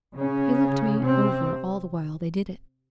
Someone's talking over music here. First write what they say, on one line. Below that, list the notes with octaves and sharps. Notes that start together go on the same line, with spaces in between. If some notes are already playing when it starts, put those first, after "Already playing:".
He looked me over all the while they did it.
C#3 C#4
C3 C4